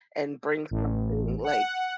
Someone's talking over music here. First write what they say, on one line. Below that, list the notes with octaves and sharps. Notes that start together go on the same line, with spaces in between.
and bring something," like,
A1
F#5